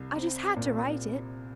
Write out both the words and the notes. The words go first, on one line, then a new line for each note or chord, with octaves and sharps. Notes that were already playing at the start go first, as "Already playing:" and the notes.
I just had to write it.
Already playing: C2 C4
C4
A#2